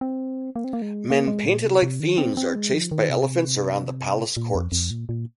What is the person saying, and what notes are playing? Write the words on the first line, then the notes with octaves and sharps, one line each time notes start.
Men painted like fiends are chased by elephants around the palace courts.
C4
A#3
C4
A#3
G#3
A#3
G#3
A#2
C3
C3
D#3
C4
C4
G#3
F3
D#3
C3
A#2
F2
F2
A#2
A#2